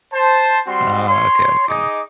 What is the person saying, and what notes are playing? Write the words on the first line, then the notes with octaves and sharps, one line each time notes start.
Oh, okay, okay.
C5 A5
G3 C4 F#4 C6
C#5 C6
D#4 G#4 D#5 D6 D#6